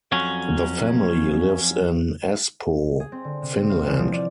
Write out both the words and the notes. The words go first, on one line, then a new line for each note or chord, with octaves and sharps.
The family lives in Espoo, Finland.
F2 F#3 C#4
G#4
C4
D3
C3
C4
F5
E2
F3
D5